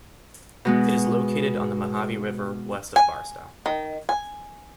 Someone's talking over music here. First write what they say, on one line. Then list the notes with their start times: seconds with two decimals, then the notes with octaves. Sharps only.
It is located on the Mojave River, west of Barstow.
0.65 B2 G#3 B3
2.96 G#5
3.66 D#3
4.09 G#5